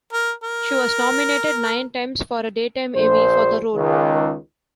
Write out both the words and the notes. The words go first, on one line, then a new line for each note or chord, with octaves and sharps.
She was nominated nine times for a Daytime Emmy for the role.
A#4
A#4
A#1 C5
C#2 D#3